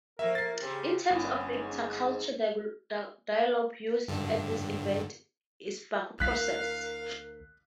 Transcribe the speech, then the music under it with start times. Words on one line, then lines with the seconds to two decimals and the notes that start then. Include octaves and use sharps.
The term for intercultural dialogue used at these events is Baku Process.
0.19 F3 A3 A#3 A#4 E5
0.35 A#4 A6 C7
0.62 C#3 C4 G4
1.10 G1 B3 C#4
1.53 G#2
4.08 G2 D3
6.20 D2 E4 A#4 F5 F#6 B6